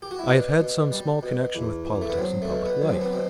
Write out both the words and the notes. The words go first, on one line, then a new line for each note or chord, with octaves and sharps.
I have had some small connection with politics and public life.
G4
F#4
E4
B2 D4
B2
G3
B2
E2
E2
A3
B3
F#3 C4
A3
B2
B3
F#3
C4
B3
B2 C4